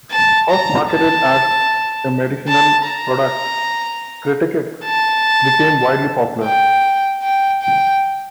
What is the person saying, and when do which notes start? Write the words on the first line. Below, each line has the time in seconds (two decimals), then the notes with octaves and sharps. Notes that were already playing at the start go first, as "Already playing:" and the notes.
First marketed as a medicinal product, kreteks became widely popular.
0.11 A5
0.50 A#5
0.90 A5
2.48 A5
2.88 A#5
4.86 A5
6.44 G5
7.23 G5
7.62 G5